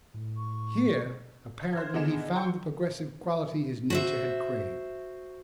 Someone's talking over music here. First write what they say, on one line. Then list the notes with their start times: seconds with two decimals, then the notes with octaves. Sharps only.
Here, apparently, he found the progressive quality his nature had craved.
0.14 A2
0.37 C#6
1.73 C5 F6 G#6
1.94 D3 E3 B3 D#4 G#4 E7
2.35 G5 C6 C#6 G6 C#7
3.90 F#4 C5 E5